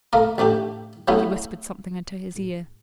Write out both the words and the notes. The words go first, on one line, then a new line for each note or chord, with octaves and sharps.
'She whispered something into his ear.
A3 A#3 A#4
A1 A3 D4 G4
F#3 A3 B3 C#4 E4